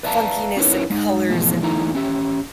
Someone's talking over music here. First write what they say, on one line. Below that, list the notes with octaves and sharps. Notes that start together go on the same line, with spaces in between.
funkiness and colors, and
B4 D5 E5 F5 A5 A#5
C#4 D#4 E4 A#4 B4 C#5
G#3 D#4
G#2 B2 E3 F3 G#3 A3
E2 A3 D#4 E4 A#5
C#4 G4 E5